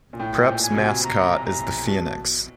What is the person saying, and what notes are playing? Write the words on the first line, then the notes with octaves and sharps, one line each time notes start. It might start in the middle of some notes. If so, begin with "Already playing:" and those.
Prep's mascot is the Phoenix.
A#2
A2 G5
A#2
G#5
B2
C3
A#5
A#5
B2 A5